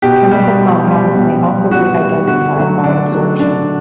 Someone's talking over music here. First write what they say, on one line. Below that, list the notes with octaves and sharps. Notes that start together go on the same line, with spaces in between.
Chemical compounds may also be identified by absorption.
B2 G4
G3
B2
G3
B2
G3
B2 F#4
G3
D3 F#4
F#3 A3
D3 D4
F#3 A3
D3 D4